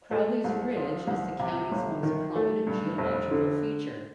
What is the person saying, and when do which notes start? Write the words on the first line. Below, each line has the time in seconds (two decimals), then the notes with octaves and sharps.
Crowley's Ridge is the county's most prominent geological feature.
0.11 A3
0.44 C2
0.76 F3
1.07 C2
1.40 C3
1.72 G1
2.03 D#3
2.36 A3
2.67 G2
2.98 F1
3.31 D3